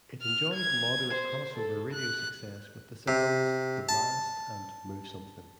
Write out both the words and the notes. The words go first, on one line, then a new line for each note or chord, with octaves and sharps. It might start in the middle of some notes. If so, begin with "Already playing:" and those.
It enjoyed moderate crossover radio success with the singles "The Blast" and "Move Somethin'".
F6
G#6
C5
A4
F#6
C3
A5